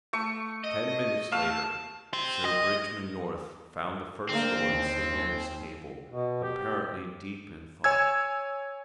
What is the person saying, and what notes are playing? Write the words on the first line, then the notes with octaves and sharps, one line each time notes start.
Ten minutes later Sir Bridgman North found the First Lord sitting at his table, apparently deep in thought.
A3 C#6
D#5
A3 F5 A5
G4 C5
D#5
D3 A#3 C4
D#2
B2
G4
C#5 G#5 E6 G#6